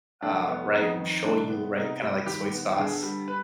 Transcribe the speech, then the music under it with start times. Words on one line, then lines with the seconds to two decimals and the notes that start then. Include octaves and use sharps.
uh, right, shoyu, right, kinda like soy sauce
0.22 F1 D4
0.48 B3
0.74 F2 D#4
0.99 D#3
1.24 C2 D4
1.50 B3
1.75 C3 D#4
2.01 G3
2.26 D#2 G4
2.52 B3
2.76 D3 G#4
3.03 G3
3.28 B4